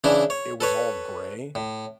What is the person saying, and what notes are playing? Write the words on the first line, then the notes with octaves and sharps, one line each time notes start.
it was all gray,
C#3 E3 D4 E4
C#5
A4 B4 C#5
A2